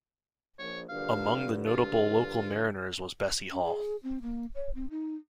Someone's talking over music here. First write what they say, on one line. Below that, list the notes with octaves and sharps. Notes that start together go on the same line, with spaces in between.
Among the notable local mariners was Bessie Hall.
A#1 C#5
A#1 G2 D3 F5
F4
C#4
G#4
C4
A#3
C#5
C4
D#4